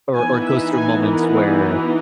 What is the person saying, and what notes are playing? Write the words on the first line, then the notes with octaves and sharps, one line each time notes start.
or or goes through moments where,
E3 B3 D#4 G#5
E5
G#5
A#4
G#4
F#4